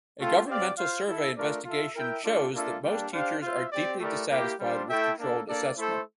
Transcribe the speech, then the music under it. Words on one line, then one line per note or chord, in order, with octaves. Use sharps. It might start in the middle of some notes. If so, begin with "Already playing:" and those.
A governmental survey investigation shows that most teachers are deeply dissatisfied with controlled assessment.
A3 C4 F4 A4
C4 G4 D5 F5
F4 C5 F5
E4 A4 E5
A3 D4 F4 A#4 D5
F4 A4 E5
E4 A#4 E5 G5
A3 D4 F4 A4 D5
A#3 D4 F4 A4 E5
G3 A#3 D4 G4
D4 G4 C5 F5
F4 C5 E5
C4 G4 D5
A3 E4 G4 A#4 D5
A#3 E4 G4
G3 D4 F4 C5
A3 E4 A4 E5 G5
A#3 D4 A4
A#3 D4 A4 D5
A3 E4 A4 C5